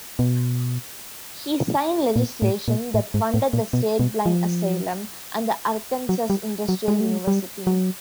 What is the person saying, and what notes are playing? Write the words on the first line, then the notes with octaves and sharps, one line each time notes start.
He signed legislation that funded the State Blind Asylum and the Arkansas Industrial University.
B2
A#2
A2
A#2
A2
G#2
A2
A#2
B2
B2
F3
F#3
G3
F#3
G#3
A3
G#3
G3
F#3